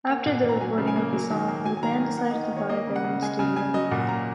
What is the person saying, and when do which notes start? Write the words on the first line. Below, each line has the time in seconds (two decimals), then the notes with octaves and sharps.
After the recording of the song the band decided to buy their own studio.
0.09 A#3 F#5
0.26 A#2 F#5
0.43 A#2
0.49 A#5
0.61 F#3 G#5
0.78 C#3
0.87 G#5
0.96 A#3
1.13 F#3
1.31 D#3
1.48 A#3
1.65 F#3 G#5
1.77 G#5
1.83 D#3 A#5
2.00 A#3 G#5
2.17 A#3 F#5
2.31 D#3 D#5
2.44 D#5
2.52 D#3 C#5
2.69 A#3 D#5
2.87 C#3
2.96 F#5
3.04 C#3
3.22 G#3 G#5
3.39 C#3 G#5
3.56 C#3 G#5
3.74 F#3 D#5
3.91 A#2 F#5
4.08 A#3 A#5